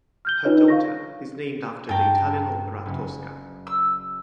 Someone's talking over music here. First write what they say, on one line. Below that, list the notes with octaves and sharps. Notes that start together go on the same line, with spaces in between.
Her daughter is named after the Italian opera Tosca.
F6 G6 G7
D4 D#4 F4 B4 C#5 D#5
F5 C#6 A#6
G2 G5 A5 A#5 A#6
F#1
E6